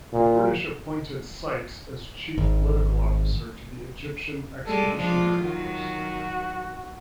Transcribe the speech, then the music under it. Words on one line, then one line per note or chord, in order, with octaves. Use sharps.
The British appointed Sykes as Chief Political Officer to the Egyptian Expeditionary Force.
A#2
G#1
G3 G#3 A4
F3 G#3 D4 F4
D#3 F#3 F#4